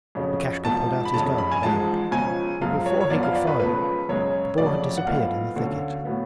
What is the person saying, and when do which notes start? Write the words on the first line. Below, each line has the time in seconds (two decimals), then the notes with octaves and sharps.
Lukashka pulled out his gun and aimed, but before he could fire the boar had disappeared in the thicket.
0.15 F2 C#3 F#3 C#4
0.65 G#1 G#2 F3 A5
1.05 B5
1.14 F1 F2 C#3 A5
1.38 B5
1.51 G#5
1.63 A1 G#2 F3 G#3 A5
2.11 C#2 C#3 F3 G#5
2.62 F#2 F3 G#3 F5
2.86 C#5
3.00 C#5
3.10 F#2 F3 B3 D5
3.23 F5
3.35 D5
3.47 B4
3.59 C#2 C#3 F3 A3 B4
4.09 F#2 C#3 G#3 C#4 C#5
4.58 F1 F2 C#3 F#3 A3 D5
4.98 F#5
5.07 B1 A2 F3 B3 F5
5.56 D2 D3 F#3 C#4
6.05 A2 F#3 B3